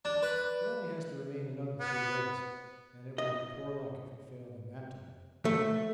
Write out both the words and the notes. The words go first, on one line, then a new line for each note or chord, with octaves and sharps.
It only has to remain another three days, and it would be poor luck if it failed in that time.
D4
B4
B3
D#5
A3